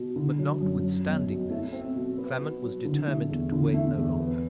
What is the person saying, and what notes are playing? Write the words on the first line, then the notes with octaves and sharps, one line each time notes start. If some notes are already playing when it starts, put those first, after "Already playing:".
But, notwithstanding this, Clement was determined to wait no longer.
Already playing: B2
D3
F#3
F#2
F#3
B1
B2
A3
C4
B2
B3
F#4
F#3
D3
A3
E2
D3
A3
E2
B3